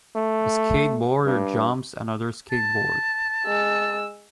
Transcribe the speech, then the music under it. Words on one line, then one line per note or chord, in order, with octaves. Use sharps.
A skateboarder jumps another skateboard.
A3
G2
A5
G#3 E6